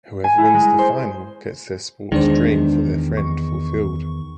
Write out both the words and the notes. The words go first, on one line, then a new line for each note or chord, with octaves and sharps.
Whoever wins the final gets their sports dream for their friend fulfilled.
G#5
E4
G#3
C5
E2 D#3 G#3 D4 C5
C#6